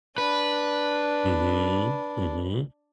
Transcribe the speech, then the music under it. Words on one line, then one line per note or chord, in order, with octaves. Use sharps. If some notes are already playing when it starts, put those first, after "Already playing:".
Mhm, mhm.
D4 B4